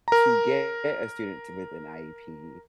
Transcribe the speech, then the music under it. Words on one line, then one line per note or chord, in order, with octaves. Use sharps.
To get a student with an IEP,
A#4 A#5